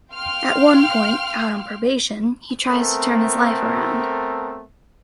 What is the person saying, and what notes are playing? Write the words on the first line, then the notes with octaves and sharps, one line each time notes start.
At one point, out on probation, he tries to turn his life around.
F5 G5 C6 F6
A3 B3 C4 A4 A#4